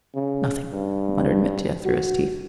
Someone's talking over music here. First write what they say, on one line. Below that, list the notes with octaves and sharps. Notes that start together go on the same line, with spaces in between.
"Nothing," muttered Mitya, through his teeth.
C#3
G2
F#4